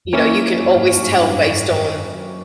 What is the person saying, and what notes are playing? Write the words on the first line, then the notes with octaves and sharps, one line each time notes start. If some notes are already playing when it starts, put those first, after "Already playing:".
you know, you can always tell based on,
F2
F#2 A#3 C#4 E4
F#2
G#2
G2
F#2
F#2